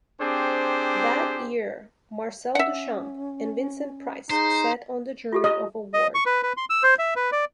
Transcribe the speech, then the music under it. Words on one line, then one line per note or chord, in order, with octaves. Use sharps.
That year, Marcel Duchamp and Vincent Price sat on the jury of award.
C4 D4 G4 G#4 C5
C#4 E5 F#5
D#4 G#4 C5
F4 G4 A4
D#5
D#5
C#6
B4
B4
C6
E6
C5
E5
B4
D5